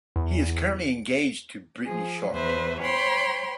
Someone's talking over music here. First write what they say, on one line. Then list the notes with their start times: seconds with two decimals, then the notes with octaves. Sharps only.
He is currently engaged to Brittany Sharp.
0.16 E2
1.84 F3 G#4
2.32 E2 B4 C5 E5
2.81 C5 C#5 G5 B5 C6